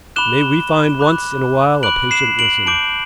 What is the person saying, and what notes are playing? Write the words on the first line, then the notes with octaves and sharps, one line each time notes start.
May we find once in a while a patient listener.
B5 D6 F#6 E7 G7
B5 D6 F#6
B5 D6 F#6 D7 F#7
C7 E7
D7 F#7
A5 D6 G6 D7 F#7